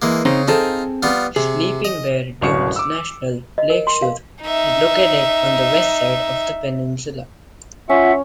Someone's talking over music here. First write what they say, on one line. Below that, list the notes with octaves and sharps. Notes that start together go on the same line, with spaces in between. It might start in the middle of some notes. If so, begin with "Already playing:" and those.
Sleeping Bear Dunes National Lakeshore is located on the west side of the peninsula.
E3 G#3 A#3
C#3 C4 D#4 D#5
C4 D#4 F4 G#4 A4
G3 B3 F4
C3 G#4
D#5
D1 C2 F#2 C#5 C#6 C#7
D6 E6
D#5
A#4
C6
F5
D#4 E5
C#4 F4 E5 F#5